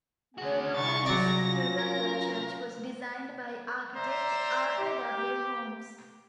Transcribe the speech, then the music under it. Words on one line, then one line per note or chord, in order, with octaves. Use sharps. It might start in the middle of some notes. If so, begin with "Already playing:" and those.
The Romanesque Revival church was designed by architect Arthur W. Holmes.
D3 F#4 G#4
C2 C#6 A6
F#3 D5 A#6
C#4 F4
A#4
C5 D5 E5 A#5
G4